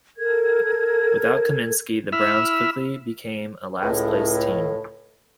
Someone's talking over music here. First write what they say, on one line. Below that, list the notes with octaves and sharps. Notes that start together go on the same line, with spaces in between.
Without Comiskey, the Browns quickly became a last-place team.
A4 A#4 G#6
E4 E5 B5 F6
C#2 A2